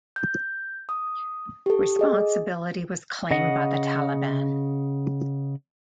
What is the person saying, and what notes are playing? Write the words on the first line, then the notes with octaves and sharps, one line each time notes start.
Responsibility was claimed by the Taliban.
G6
D#6
G4 A4
G#4 D#5
C#3 D#5 F#5